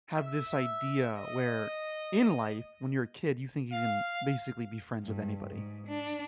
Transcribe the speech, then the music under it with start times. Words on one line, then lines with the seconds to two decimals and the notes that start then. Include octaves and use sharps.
have this idea where in life, when you're a kid, you think you can basically be friends with anybody.
0.16 E5
1.16 D#5
3.72 F5
5.04 G2
5.50 G#2
5.87 D4